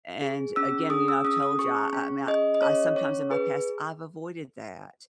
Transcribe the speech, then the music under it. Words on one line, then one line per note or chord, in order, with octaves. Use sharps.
And, again, you know, I've told you, I I mean, I sometimes in my past, I've avoided that.
G#4
C#4 E6
G#4 D#6
E6
C#4 D#6
D#6
G#4 C#6
C#4
G#4 D#5
D#5
C#4 C#5
C#4 C#5
G#4 B4